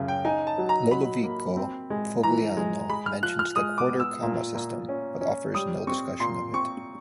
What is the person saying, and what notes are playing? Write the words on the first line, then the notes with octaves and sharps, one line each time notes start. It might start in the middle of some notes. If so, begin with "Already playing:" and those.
Lodovico Fogliano mentions the quarter-comma system, but offers no discussion of it.
Already playing: F#2 C#3
G5
D#4 G#5
A5
F#3
A#5
F#3 B5
A#3
C4
G#3
E3 A#5
G#3
G#3 B5
F6
F3 F#6
F6
G#3 D#6
D6
B3
E6
A#2
A#2
C#4
C#4
G3 D#6
C4 C#6
A#2 C6
C4 C#6